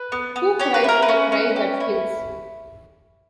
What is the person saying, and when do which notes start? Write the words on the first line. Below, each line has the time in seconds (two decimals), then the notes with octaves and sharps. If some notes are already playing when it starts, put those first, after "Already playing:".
Who cries the cry that kills?
Already playing: B4
0.12 B3
0.36 B3
0.59 G4 C#5
0.74 B4
0.84 E4 A#4
1.02 B4
1.09 C#4
1.32 C#4
1.56 G4
1.80 E4